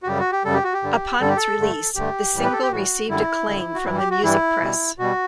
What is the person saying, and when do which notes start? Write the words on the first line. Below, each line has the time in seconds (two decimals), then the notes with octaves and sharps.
Upon its release the single received acclaim from the music press.
0.03 F#4
0.07 F#2 C#3 G3 G4
0.19 F#4
0.32 G4
0.45 F#2 C#3 G3 A4
0.54 G4
0.64 F#4
0.73 G4
0.83 G2 D3 G3
1.20 G2 D3 G3 A4
1.29 G4
1.37 A4
1.58 G2 D3 A3
1.95 G2 D3 A3 G4
2.34 A2 E3 G3
2.43 B4
2.53 A4
2.62 G4
2.72 A2 E3 G3 F#4
3.09 F#2 D3 G3 E4
3.47 F#2 D3 G3
3.75 F#4
3.85 G2 E3 G3 E4
3.98 G4
4.10 F#4
4.23 G2 E3 G3 E4
4.61 B2 G3
4.98 B2 G3 F#4